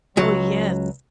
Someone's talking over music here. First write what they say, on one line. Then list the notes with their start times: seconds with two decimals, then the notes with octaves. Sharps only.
Oh, yes.
0.17 C#2 F#3